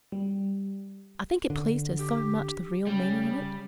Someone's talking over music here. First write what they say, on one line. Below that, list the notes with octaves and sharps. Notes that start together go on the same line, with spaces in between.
I think it pleased her so much, the real meaning in it.
G3
D3
G4
C#3 G3